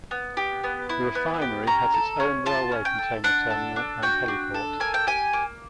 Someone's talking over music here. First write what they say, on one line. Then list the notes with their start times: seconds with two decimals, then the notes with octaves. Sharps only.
The refinery has its own railway container terminal and heliport.
0.11 B3
0.37 G4
0.64 B3
0.89 E4
1.15 B3
1.41 G4
1.67 C#4 A#5
1.94 A4
2.20 C#4
2.46 F4 A5
2.72 C#4
2.85 G5
2.98 A4
3.24 D4 F#5
3.50 A4
3.76 D4
4.03 F#4 G5
4.28 D4
4.54 A4
4.80 A#3 G#5
4.94 G5
5.07 G4 G#5
5.33 A#3